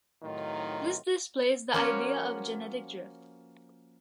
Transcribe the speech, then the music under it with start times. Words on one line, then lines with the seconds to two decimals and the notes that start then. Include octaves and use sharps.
This displays the idea of genetic drift.
0.23 A2 C3 D#3 F#3 D#4 F4
1.74 F3 A#3 C#4 F#4 B4 C#5